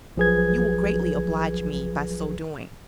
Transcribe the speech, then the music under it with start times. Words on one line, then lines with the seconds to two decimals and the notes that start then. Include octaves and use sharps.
You will greatly oblige me by so doing.
0.17 A#1 F3 F#3 G#4 B4 G#6